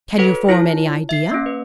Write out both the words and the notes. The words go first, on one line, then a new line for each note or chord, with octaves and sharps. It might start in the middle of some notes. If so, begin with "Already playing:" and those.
Can you form any idea?
F#4 A4 B4 C#5 F#5
E4 F4 C#5
E5 C7
A#3 C#4
B4